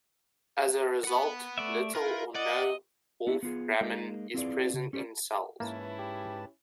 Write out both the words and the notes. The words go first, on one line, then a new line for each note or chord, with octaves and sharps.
As a result, little or no wolframin is present in cells.
F#5 B5
A3 D5 E5
E4 F4 A#4 B4
D5 D#5 F#5
B3 D4 E4 F#4
B3 F4 G#4
G#3 A#3 D#4
C4 E4 F4 G#4 B4 D5
C#3
C#4 G4 A#4 C5 D5
G#2 E3 A#3 C#4 E4 B4 A5
G4